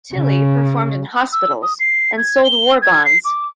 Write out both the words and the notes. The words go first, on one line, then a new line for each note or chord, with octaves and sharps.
Tilley performed in hospitals and sold war bonds.
C#3
E6
D#6
C7
G#6
G7
G#6
C7
D6